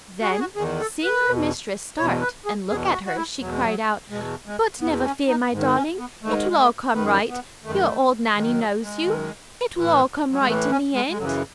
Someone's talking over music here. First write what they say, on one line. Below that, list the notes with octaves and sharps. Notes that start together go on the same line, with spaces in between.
Then, seeing her mistress start and look at her, she cried out: "But never fear, my darling, it will all come right, your old Nanny knows you, it will all come right in the end."
F#4
G#4
F#4
E2 D#3 G#4
A4
B4
E2 B2
E2 B2 C#5
B4
G#4
E2 B2 G#4
F#4
F#4
E4
E2 B2 F#3
G#3
F#3
E2 B2 G#3
G#3
E2 B2 B3
C#4
D#4
G#2 D#3
C#4
B3
G#2 D#3 A3
G#3
A3
F#2 D#3 B3
B3
F#2 D#3 A3
G#3
A3
F#2 D#3 G#3
F#3
G#3
F#2 D#3
A2 E3
F#3
G#3
A2 E3 A3
C#4
G#3
G#3
F#2 C#3 E3 F#3